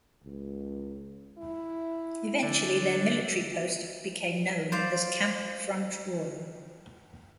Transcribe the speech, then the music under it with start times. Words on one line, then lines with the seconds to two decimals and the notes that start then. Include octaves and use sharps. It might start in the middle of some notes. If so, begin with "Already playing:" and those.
Eventually their military post became known as "Camp Front Royal".
0.23 C#2
1.38 E4
2.43 D3
4.72 C5 D5 F5